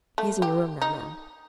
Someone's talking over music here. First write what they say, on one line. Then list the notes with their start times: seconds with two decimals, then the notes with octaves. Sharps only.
He is in your room now, ma'am.'
0.18 A3
0.42 G4
0.82 D#4